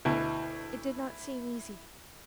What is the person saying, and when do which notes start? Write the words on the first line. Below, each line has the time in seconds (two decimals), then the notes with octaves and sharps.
It did not seem easy.
0.05 D2 B2 E4